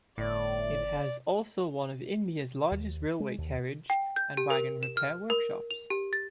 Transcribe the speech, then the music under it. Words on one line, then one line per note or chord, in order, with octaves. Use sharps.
It has also one of India's largest railway carriage and wagon repair workshops.
G1 A2 D5
D#2
G#3
D#2
G5
G6
G4
A#4
E7
F6
A#4
F7
G4
A6